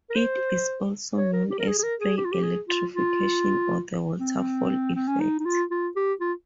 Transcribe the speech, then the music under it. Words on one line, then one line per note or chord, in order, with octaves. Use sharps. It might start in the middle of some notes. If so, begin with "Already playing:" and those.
It is also known as spray electrification or the waterfall effect.
A#4
C5
C#5
A#4
G4
A#4
G#4
G#4
A#4
G#4
G4
F4
G4
G#4
F4
F4
C4
C4
C#4
D#4
D#4
F4
F4
G4
F4